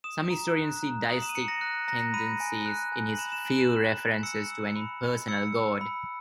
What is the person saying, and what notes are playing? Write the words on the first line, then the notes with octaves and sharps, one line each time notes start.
Some historians see "deistic tendencies" in his few references to an impersonal God.
D#6 E7
A#5
F#6
A#5
D#6 F#7
E7
D#7
A#5 C#7
A#6
F#6
A#5 A#6
B5 D#7
G#5
F#6
G#5
F#7
B5 E7
E7
G#5 F#7
E7
F#6
G#5
E6 C#7
E6
B5
B5
E6 C#7
E6
B5